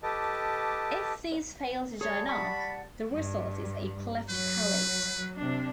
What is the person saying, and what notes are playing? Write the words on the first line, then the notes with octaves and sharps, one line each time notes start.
If these fail to join up, the result is a cleft palate.
G4 A4 B4 D#5 A5 D6
G3 G#4 C#5 A5
F#5 B5 C#6
G2
F#3 B4
C3 D4